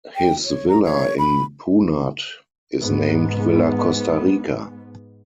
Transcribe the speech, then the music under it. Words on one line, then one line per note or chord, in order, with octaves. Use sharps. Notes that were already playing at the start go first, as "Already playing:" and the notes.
His villa in Punat is named "Villa Costarica".
G5
C#5
A#5
C#5
B5
G#2 B3